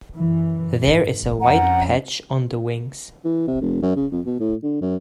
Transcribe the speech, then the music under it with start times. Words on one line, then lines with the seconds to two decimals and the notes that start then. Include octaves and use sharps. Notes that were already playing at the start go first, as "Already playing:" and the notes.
There is a white patch on the wings.
0.16 F#2 E3
0.82 G#2
1.40 F2 C#4 F#5 A#5
3.25 E3
3.47 C3
3.61 F1
3.82 F#2
3.96 C#3
4.12 F2
4.26 B2
4.40 A2
4.63 D3
4.81 F#2